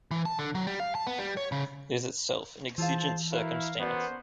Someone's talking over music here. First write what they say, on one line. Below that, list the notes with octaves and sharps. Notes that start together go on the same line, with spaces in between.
It is itself an exigent circumstance.
E3
A5
D3
F#3
G3
F5
A5
B3
G3
C#5
C#3
E3 F4 G#4 C5 F5 A5
E4 F#4 A#4 B4 F5
B3 C#4 F#4 A4 A#4 C5 D5